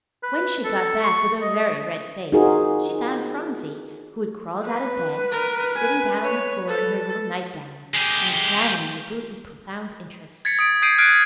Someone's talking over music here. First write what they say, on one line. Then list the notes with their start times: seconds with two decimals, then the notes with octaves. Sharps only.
When she got back with a very red face, she found Phronsie, who had crawled out of bed, sitting down on the floor in her little nightgown and examining the boot with profound interest.
0.23 B4
0.64 A4
1.03 C#6
1.42 D#5
2.32 D#4 F4 F#4 G#4 A#4 C5
4.64 B4
5.31 A#4
5.76 G#5
6.23 C#5
6.68 A4
7.95 G#3 G4
10.45 G#6 A6 B6 C#7
10.59 D#6 D7
10.82 D#6 G6 G#6 C7 D7 D#7
10.98 F6 F#6 G#6 B6 C7 D7